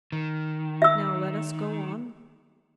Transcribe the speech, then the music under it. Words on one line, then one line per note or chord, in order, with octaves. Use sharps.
Now let us go on ...
D#3
E5 E6